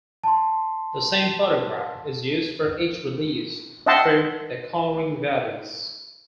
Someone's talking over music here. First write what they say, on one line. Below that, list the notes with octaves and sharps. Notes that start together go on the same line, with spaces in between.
The same photograph is used for each release though the colouring varies.
A5 C6
D#5 E5 F#5 G5 A5 C6